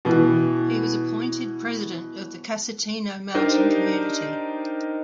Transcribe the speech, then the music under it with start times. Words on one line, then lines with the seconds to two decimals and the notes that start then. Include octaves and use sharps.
He was appointed president of the Casentino mountain community.
0.05 B2 E3
3.34 D4 D#4 G4 A#4 C5 D#5